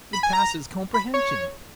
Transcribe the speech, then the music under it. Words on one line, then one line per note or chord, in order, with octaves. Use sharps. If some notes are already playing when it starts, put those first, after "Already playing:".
It passes comprehension.
B5
G#5
A#5
B5
C#5